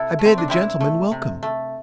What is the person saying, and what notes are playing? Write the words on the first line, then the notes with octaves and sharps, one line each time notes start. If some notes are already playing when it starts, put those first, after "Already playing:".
I bade the gentlemen welcome.
Already playing: C3 E4 A4
A3
C4
D4
C3 C4 E4
A3
C3
A3